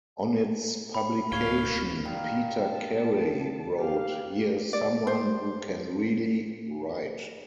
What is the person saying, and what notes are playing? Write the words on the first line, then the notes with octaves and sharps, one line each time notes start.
On its publication, Peter Carey wrote "Here is someone who can really write".
B5
D1 D2 F5 C#6 G#6 G7
A#2 D#3 B5
A5
G4 F5
D5
C5